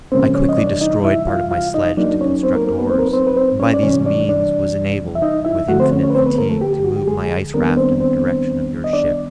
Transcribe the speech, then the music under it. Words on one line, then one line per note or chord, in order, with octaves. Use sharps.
I quickly destroyed part of my sledge to construct oars, and by these means was enabled, with infinite fatigue, to move my ice raft in the direction of your ship.
C3 E3 G3 A#3 C4 C#4 C5
C#4 C#5
D#5
D4 D5
D#4 D#5
E4 E5
F4 F5
F4 F5
D#4 D#5
F#3 A#3 D4 D#4 D5
C#4 C#5
C4 C5
A#3 A#4
A#3 A#4
B3 B4
C4 C5
A#4
B4
C4 C5
B4
C4 C5
C#4 C#5
D5
C3 E3 G3 C#4 C#5
D4 D5
D4 D5
E5
D#4 D#5
E4 E5
D3 F3 A3 F#4 F#5
C4 C5
C#4 C#5
C#4 C#5
B4
C4 C5
B3 B4
A#3 A#4
A3 A4
G4
G4
F#4
G4
G#3 G#4
D#3 G3 A#3 B3 D4 A#4
C4 C5
C4 C5
D#5
D4 D5